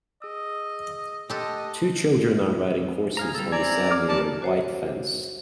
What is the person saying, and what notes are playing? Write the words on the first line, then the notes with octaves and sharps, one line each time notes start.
Two children are riding horses on the sand near a white fence.
G#4 D#5 E6
G4 A4 D#5 A5 C6 F#6
G#4 F5 A#5
G3 A4
C4 E4 D5 G#5 A#5
D6 F6
G3 B3 D5 A5
F#4 C5 C#5